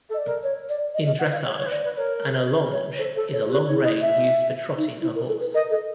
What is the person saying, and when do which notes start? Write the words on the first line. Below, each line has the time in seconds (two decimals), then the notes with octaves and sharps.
In dressage an allonge is a long rein used for trotting a horse.
0.09 A4
0.14 D#5
0.18 D5
0.26 A#4
0.43 C#5
0.69 D5
0.94 D#5
1.06 D#5
1.19 F#5
1.32 F5
1.45 C#5
1.58 C#5
1.66 B4
1.71 C5 D5
1.84 B4
1.96 A#4 C#5
2.72 C#5
2.98 A4 C5
3.15 A4
3.32 A4 C#5
3.49 G4 B4
3.66 C#5
3.69 D#4
3.75 E4
3.83 D#5
4.00 E5
4.77 D#4
5.02 E4
5.15 A#4
5.28 A4
5.40 B4
5.53 A#4 D#5
5.71 A4 D#5